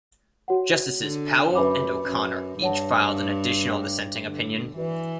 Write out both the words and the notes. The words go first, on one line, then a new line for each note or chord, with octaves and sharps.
Justices Powell and O'Connor each filed an additional dissenting opinion.
F#4 C#5 F#5
D3
F#2 B4 E5 B5 D6
F#2
G2 C#5 F#5 A5
C#5 G5 D6
D3
E3 F#4 B4 D5